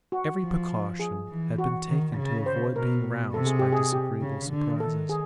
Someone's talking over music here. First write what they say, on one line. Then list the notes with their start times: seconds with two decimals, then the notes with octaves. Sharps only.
Every precaution had been taken to avoid being roused by disagreeable surprises.
0.12 F#4
0.41 F3
1.00 G#4
1.29 E3
1.58 F#4
1.88 D#3
2.16 C#3
2.46 C5
2.75 B2 A#4
3.33 C3 A4
3.47 G#4
3.59 G4
3.72 G#4
3.93 G4
4.21 C#3
4.50 D3
4.80 D#3 A4
5.09 G#4